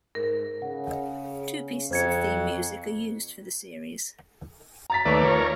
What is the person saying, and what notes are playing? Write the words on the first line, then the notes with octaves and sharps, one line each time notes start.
Two pieces of theme music are used for the series.
G#2 A#4
C#3 F#5
F2 C5 G#6 C#7
A#5 A6 B6
D#2 A3 B4 C#5 D5
F4 A#4 C#5